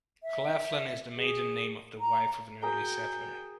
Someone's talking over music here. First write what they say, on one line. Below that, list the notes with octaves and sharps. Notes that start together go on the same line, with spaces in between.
Claflin is the maiden name of the wife of an early settler.
E5
G#4
A#5
F#4 G#4 A#4 G5 A#5